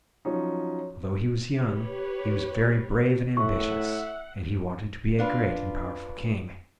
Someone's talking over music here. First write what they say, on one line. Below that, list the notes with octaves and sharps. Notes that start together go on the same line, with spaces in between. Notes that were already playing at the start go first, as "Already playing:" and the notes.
But although he was young, he was very brave and ambitious, and he wanted to be a great and powerful king.
F3 F#3 C#4 D#4
G4 B4 C#5
A2 E5 F#5 C#6
D4 F4 B4